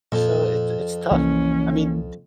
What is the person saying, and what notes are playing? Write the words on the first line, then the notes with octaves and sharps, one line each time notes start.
So it's it's tough. I mean, d
F2 A#2
C2 E3 A#3 C#4